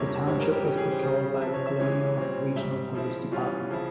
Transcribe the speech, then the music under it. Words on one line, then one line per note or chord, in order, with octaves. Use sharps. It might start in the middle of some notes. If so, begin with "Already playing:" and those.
The township is patrolled by the Colonial Regional Police Department.
Already playing: F2 C3 G3 A#3 E4 C#5
G#2 E3 G3 C4 E4 C#5
A#4
G4
E3 G3 C#4 G4
G#4
C5
C#3 G3 C4 C5
C3 F3 C4 E5
C#5
E5
C3 E3 G#3 C#5
A#2 G3 C4 C#5
G#2 G3 C4 E5
C#3 F3 C4 E4
E3 G3 C#4 F4
C#3 F3 C4 E4